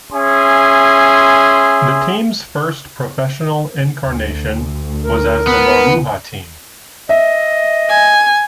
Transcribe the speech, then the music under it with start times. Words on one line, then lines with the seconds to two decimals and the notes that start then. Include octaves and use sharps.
The team's first professional incarnation was as the Maruha Team.
0.12 C#4 G#4 E5 C6
4.04 D2
5.05 A#4
5.47 B3
7.09 D#5 E5
7.89 G#5